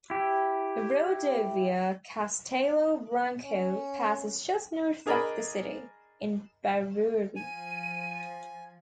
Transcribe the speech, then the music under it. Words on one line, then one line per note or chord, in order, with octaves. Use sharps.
The Rodovia Castelo Branco passes just north of the city, in Barueri.
E4 G4
C#4
D4 G#4 A#4 D5 D#5 B5
F3 G#5 D#7